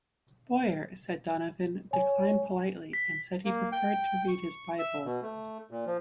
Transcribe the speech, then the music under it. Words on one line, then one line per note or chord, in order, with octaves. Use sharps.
Boyer, said Donovan, declined politely and said he preferred to read his Bible.
C#5 G#5
B6
A#3
G5
C#6
E5
B2
A3
A#2
F3